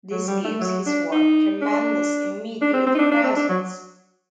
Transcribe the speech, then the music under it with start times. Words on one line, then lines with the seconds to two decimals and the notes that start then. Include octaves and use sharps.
This gives his work tremendous immediate presence.
0.11 F#3
0.28 G3
0.45 A3
0.61 F#3
0.86 D4
1.12 D#4
1.62 D4
2.62 D4
2.74 C4
2.86 C4
2.95 D#4
2.99 D4
3.12 D4
3.24 C4
3.36 D4
3.49 F#3